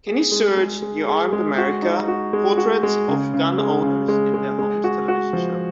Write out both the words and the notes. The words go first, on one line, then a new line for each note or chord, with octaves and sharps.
Can you search the Armed America: Portraits of Gun Owners in Their Homes television show?
G#4
G#3
G#3
G#3
G#4
G#3
F#4
D#4
F#4
G#3
F#4
G#3
C#3
C#3
G#3
C#3
G#3
G#3
G#3
F#4
F#4
F3